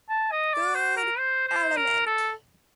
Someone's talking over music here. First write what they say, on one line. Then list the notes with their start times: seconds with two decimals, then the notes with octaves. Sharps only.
Third element.
0.09 A5
0.32 D#5
0.53 D5
0.75 C5
0.96 A#4
1.19 C5
1.48 C5
1.77 A#4
2.06 A4